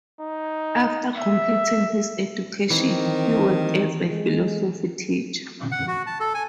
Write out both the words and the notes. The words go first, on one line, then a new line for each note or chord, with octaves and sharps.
After completing his education, he worked as a philosophy teacher.
D#4
E5
D#3 E3 C4
G#3
F#5
F#4
A5
A4
G#5